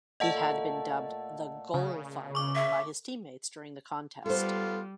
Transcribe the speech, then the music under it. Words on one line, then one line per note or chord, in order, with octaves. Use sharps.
He had been dubbed 'The Golfather' by his teammates during the contest.
A#2 A3 A4 D#5 F#5 A5
C#3
C#6 D6
E5
G3 B3 F4 A4 C5